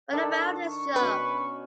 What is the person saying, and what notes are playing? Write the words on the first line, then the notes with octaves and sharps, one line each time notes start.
What about this job?
D#3 D4 A4
C#6
B2 C#4 B4